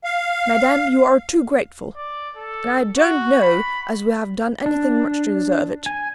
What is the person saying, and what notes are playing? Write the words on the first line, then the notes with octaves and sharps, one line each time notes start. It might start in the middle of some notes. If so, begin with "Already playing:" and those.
"Madame, you are too grateful; and I don't know as we have done anything much to deserve it."
F5
D5
A4
F#4
B5
D4
G#5